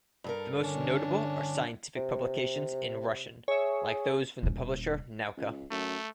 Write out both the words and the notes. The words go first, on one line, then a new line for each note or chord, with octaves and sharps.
The most notable are scientific publications in Russian, like those from the publisher Nauka.
G2 A4 A#4
D3 C#4 D4
C3
G#4 C#5 E5
D#1 C#4
C#2
F#2 A3